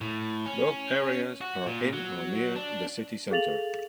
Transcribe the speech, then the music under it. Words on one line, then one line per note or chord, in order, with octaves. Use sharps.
Both areas are in or near the city centre.
A2
C#4
F#4
A#2
F#3
D4
G#4 A4 F5 A6 F7 F#7